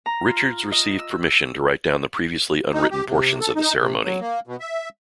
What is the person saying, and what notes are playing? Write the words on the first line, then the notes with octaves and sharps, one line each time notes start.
Richards received permission to write down the previously unwritten portions of the ceremony.
A#5
F4
D#5
E6
D#4
G4
C3
A4
D#4
C3
F#3
A#3
B2
E5